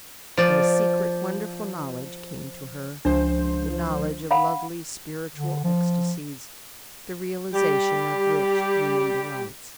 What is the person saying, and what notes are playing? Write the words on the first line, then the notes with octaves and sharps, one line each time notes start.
And a secret, wonderful knowledge came to her--the knowledge of lovely spiritual ecstasies, the realization of rich human delights.
F3 D5
C#2 F3 D4 C5
F5 F#5 B5
D3
F3
G3 G4